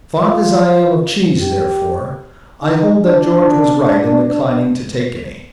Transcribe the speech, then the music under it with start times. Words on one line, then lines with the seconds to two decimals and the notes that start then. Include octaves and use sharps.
Fond as I am of cheese, therefore, I hold that George was right in declining to take any.
0.21 F4
1.41 G4
2.63 D#4
3.03 D4